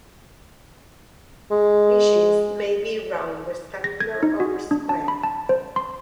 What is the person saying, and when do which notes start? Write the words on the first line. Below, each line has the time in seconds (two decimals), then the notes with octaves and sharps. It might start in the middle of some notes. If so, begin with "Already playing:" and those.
Knishes may be round, rectangular, or square.
1.51 G#3
3.84 A#6
4.00 G#6
4.23 D#4
4.40 F#4
4.71 D4
4.89 A5
5.08 B5
5.23 A5
5.49 C5
5.76 C6